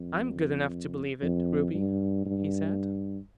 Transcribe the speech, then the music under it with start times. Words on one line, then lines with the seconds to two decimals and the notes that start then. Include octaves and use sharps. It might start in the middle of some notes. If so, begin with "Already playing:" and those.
"I'm good enough to believe it, Ruby," he said.
Already playing: F2
1.22 F2
1.74 G2
2.25 G2